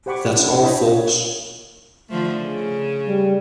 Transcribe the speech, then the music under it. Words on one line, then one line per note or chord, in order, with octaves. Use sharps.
Thats all folks.
G4 C5 F#5 B5 C#6 D6
C#4 D4 B4 F#5
E4 C5 C#5 D#5 A5 B5
C#5
D3 F3 A3
C#3
G3